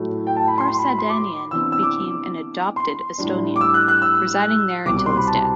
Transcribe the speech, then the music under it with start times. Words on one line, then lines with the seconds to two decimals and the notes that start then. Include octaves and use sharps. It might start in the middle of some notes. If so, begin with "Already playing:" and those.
Parsadanian became an "adopted" Estonian, residing there until his death.
Already playing: A2 F#3 A3
0.27 G5
0.36 A5
0.47 B5
0.58 C6
0.68 C6
0.78 B5
0.88 B5
0.99 C6
1.09 D6
1.51 C3 E3 B3 D4 E6
1.72 E6
1.83 D6
2.76 C6
3.18 A2 G3 D4
3.56 D6
3.61 E6
3.74 F#6
3.88 F#6
4.02 E6
4.86 C2 B2 G3 C4 D6
4.97 D6
5.06 C6
5.17 B5
5.27 A5